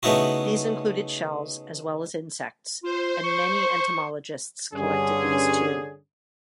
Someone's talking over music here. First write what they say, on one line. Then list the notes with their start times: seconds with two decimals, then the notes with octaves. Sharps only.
These included shells as well as insects and many entomologists collected these too.
0.03 C#3 A3 B3 D#4 E4 F#4
2.84 F4 C5
3.24 C#6
4.74 G2 D3 C#4 G#4